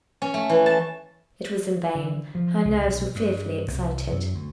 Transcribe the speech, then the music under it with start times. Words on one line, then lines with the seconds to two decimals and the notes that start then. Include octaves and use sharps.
It was in vain--her nerves were fearfully excited.
0.22 C#4
0.34 A3
0.49 E3
0.66 A5
1.95 D3
2.35 F3
2.65 C#2
2.87 B1
3.15 G2
3.68 C2
4.11 F#2
4.34 D2